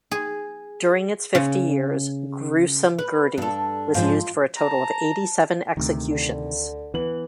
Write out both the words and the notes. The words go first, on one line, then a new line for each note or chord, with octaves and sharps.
During its fifty years, "Gruesome Gertie" was used for a total of eighty-seven executions.
G#4
C#3
B4
G2 D4 A4
G#2 F3 D4 F4 C5
A5 A#5
D2 C3 D#3
D3
E3 B3 F#7